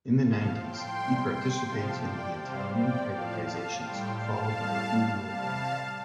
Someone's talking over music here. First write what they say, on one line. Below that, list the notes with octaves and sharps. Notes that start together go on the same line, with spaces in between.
In the nineties, he participates in the Italian privatizations followed by Mediobanca.
A2 F3 F5 A5
G5 C6
C3 G3
G5 C6
C3 F3 F5 A5
D5 G5
C3 G3 C5 F5
D5 G5
A2 F3 F5 A5
F5 A5
A2 G3 G5 C6
F5 A5
A2 G3
C3 G3 F5 A5